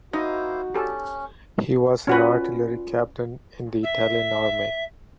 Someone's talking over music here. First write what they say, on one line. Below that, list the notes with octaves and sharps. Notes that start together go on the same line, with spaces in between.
He was an Artillery captain in the Italian Army.
A#3 D#4 E4 F#4 C5 D#5
C#4 G4 A4
C#4 F4 F#4 B4 D5
E5